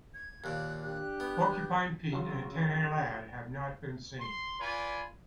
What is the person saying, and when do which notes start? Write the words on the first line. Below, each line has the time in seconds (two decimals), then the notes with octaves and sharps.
Porcupine Pete and Antennae Lad have not been seen.
0.14 G#6
0.44 D#2 A#2 F#6
0.83 D4 G4 F#6
1.20 B3
2.12 C#3 F#3 F#4 C6
4.20 C6
4.59 F4 B4 D5 G#5 B5